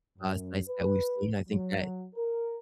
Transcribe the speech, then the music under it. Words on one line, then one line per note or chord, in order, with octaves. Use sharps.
uh, sites that we've seen, I think that,
F#2
B4
F#3
A#4